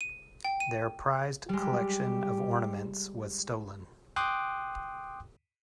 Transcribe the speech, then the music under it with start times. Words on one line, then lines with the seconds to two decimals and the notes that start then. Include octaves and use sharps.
Their prized collection of ornaments was stolen.
0.01 D#7
0.44 G5
0.60 D#7
1.49 G3 G#3 G4
4.16 G5 C6 D6 D#6 F#6